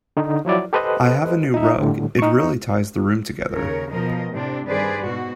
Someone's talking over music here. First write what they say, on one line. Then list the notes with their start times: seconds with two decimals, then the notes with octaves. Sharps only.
I have a new rug, it really ties the room together.
0.17 D3 D#4
0.45 F3 F#3 E4 D5
0.73 G4 A4 B4 C5 D#5 F#6
1.54 D#4 E5
1.78 A2 D3 G3
2.19 D#4 C#6
3.53 D#2 C#3 A#4 C#5
3.91 B2 F3 A#4 D#5
4.32 A2 C3 C4 D4
4.66 G2 D#3 G#4 B4 C5 D5
5.03 G#2 B2 F#4